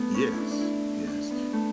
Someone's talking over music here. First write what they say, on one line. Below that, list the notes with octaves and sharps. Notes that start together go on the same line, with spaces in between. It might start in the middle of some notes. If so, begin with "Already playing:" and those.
Yes, yes,
Already playing: A3 B3
C#4
D4 E4
D4
E4
D4
B3
A3